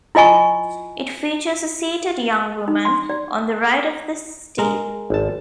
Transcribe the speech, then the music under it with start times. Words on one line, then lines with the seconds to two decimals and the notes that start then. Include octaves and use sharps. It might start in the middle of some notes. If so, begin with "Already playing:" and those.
It features a seated young woman on the right of the stele.
0.15 E4 F4 D#5 G#5 C#6
2.68 D#4
2.85 C6
3.10 D5
4.58 G#3 A#4
5.10 G#1 A5